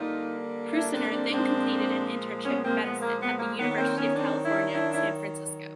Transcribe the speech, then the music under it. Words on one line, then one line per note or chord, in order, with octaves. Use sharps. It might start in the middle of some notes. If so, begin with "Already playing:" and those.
Prusiner then completed an internship in medicine at the University of California, San Francisco.
Already playing: D3 G3 A#3 D#4 F4
D4 E4
C4 D4
C4 D4
A#2 F3 G#3 C4 D4
B3 C#4
A#3 C4
B3
A#3
B3
A#3
D#3 F#3 A#3 B3
B3
A#3 C4
C4
B3 C#4
C4 D4
D4 E4
D4 E4
D4 E4